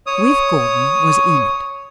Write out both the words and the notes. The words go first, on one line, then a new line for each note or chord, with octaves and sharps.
With Gordon was Enid.
C#5 D#6